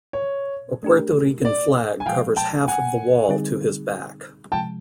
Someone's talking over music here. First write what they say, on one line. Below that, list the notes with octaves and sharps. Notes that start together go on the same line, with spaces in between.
A Puerto Rican flag covers half of the wall to his back.
C#5
A3 D4 G4 A#4
D5
G#5
A#2 F3 G#3 F5 G5
G5 A5
F#5 G#5
D3 G3 C4 D#4 G#4
C3 F3 G#3 G5 A5